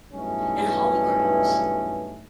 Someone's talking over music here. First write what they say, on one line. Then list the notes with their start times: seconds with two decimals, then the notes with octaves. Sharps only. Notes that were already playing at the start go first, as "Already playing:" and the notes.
And holograms.
0.13 B1 G2 E3 A3 C#4 D#4